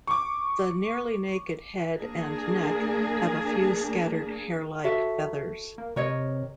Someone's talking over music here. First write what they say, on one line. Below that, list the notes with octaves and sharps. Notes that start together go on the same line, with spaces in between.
The nearly naked head and neck have a few scattered hair-like feathers.
C#6 D6
A#3 D4 G#4 A#4
F#4 A4 E5
A#3
C3 A#4 C#5 D#5